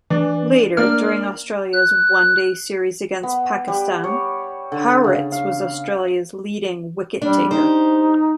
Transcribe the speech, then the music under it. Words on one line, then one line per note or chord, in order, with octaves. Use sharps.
Later during Australia's one-day series against Pakistan, Hauritz was Australia's leading wicket-taker.
E3 D4
A#3 D4 F6
F#6
B3
G3
C#5
D3
C#3
F5
G3 D4
D#4 G4 C5